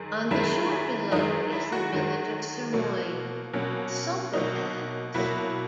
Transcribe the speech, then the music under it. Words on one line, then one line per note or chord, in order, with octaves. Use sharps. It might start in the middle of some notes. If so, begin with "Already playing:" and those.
On the shore below is the village of Sirmione, with sulfur baths.
Already playing: F#2 D#3 G#3
F#2 D#3 G#3 E4
E4
F#2 D#3 G#3 D#4
E4
F#4
F#2 D#3 G#3
B2 F#3 A#3
B2 F#3 A#3 C#4
B2 F#3 A#3 D#4
B2 F#3 A#3 E4